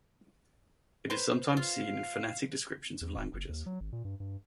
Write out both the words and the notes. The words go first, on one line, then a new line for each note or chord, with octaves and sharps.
It is sometimes seen in phonetic descriptions of languages.
B4 C5 C6
F4 F5
E2
D1
F#1
D#2
F#3
G#1
A#2
G2
G2